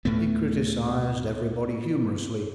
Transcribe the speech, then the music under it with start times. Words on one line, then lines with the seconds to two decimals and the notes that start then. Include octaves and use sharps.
He criticised everybody humorously.
0.05 D2 A2 A3 B3